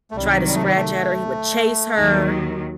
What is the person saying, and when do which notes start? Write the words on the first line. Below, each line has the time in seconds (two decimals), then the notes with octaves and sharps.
try to scratch at her, he would chase her
0.11 A3
0.16 C2 C3 D#3 F#3 G3
0.47 G3
0.55 A3
0.63 G3
0.76 A3
1.97 D#2 D#3 F#3